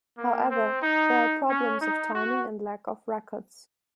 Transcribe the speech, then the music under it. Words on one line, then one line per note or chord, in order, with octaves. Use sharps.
However, there are problems of timing and lack of records.
A#3
C4
D#4
C#4
D#4
F#4